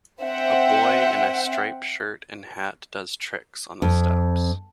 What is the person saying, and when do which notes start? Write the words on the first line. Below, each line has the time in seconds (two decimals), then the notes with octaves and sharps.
A boy in a striped shirt and hat does tricks on the steps.
0.22 C4 E5 F#5 G5
3.82 F2